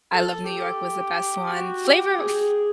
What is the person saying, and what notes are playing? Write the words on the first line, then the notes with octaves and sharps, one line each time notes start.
I Love New York was the best one. Flavor Fl
A4
G4
F#4
G4
G#4